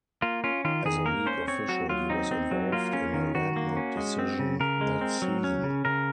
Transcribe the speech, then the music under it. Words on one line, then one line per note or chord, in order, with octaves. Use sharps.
As a league official, he was involved in a landmark decision that season.
A#3 F4
C#4 F4
D#3 F4
D#3 G#4
A#3 A#4
C#4 C5
C4 C#5
F#3 F#4
F#3 F4
C4 D#4
C4
F#3
A#3 F4
C#4
D#3
D#3 F#4
A#3
C#4
G#3
C4
C#3
C#3 A#4
G#3
C4
F#3
C#4
C#3
C#3 A#4